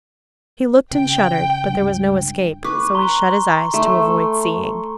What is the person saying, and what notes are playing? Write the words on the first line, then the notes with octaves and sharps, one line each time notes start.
He looked and shuddered, but there was no escape; so he shut his eyes to avoid seeing.
C#3 G5
C#2 G2
B4 C#6 D6
A#5 C6 G7
A3